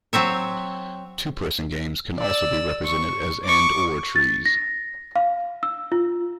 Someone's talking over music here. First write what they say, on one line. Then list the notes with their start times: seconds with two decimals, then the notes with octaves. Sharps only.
Two-person games can also be represented as and-or trees.
0.13 F#3 C4 C#5 E5
2.19 D5 E6
2.84 C#6
3.44 C#6 D6
4.16 A6
4.45 A#6
5.16 F5
5.63 E6
5.92 F4